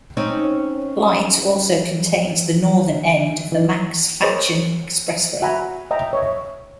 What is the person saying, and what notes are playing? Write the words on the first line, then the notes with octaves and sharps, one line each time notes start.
Light also contains the northern end of the Max Fatchen Expressway.
C4 C#4 D#4
E3
G#4 A#4 C5 C#5 D#5
F#4 E5 F#5 G#5 A#5 B5
D#5 E5 G5 A#5
C#5 D#5 E5